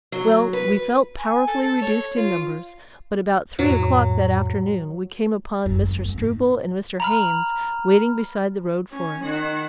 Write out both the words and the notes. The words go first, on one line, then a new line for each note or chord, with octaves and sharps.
Well, we felt powerfully reduced in numbers, but about three o'clock that afternoon we came upon Mr. Struble and Mr. Haynes waiting beside the road for us.
F#3
B4
G#5
A4
A4
C#5
F4
F2 A2 F#3
G1 F#2
F#2 G#3
B3 C4
G#2
A#5 B5 F6
C#4
D#3 F#5